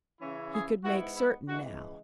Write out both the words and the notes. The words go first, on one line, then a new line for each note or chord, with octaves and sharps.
He could make certain now.
C#3 E3 C#4 E4
G#4
G#2 G#3 B3 E4 F#4
E4
C#3 E3 G#3 F#4